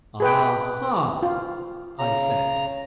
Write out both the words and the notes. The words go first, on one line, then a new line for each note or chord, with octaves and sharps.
"A-ha!" I said.
G#4 B4 G5
F4
C#3 A#5